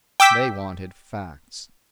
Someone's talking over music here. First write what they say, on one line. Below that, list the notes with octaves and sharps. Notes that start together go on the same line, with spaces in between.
They wanted facts.
G5 D6 E6 B6